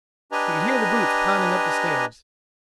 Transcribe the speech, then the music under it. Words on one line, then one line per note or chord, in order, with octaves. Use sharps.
He could hear the boots pounding up the stairs.
D4 G4 B4 D#5 G#5 A#5